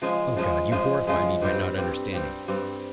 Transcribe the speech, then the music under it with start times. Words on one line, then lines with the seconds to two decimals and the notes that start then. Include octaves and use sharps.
Oh, God, you horrify me by not understanding!
0.02 C#3 F3 G#3
0.37 C#3 F3 G#3
0.72 C#3 F3 G#3
1.07 C#3 F3 G#3
1.41 G2 G3 C4
1.77 G2 G3 C4
2.13 G2 G3 C4
2.48 G2 G3 C4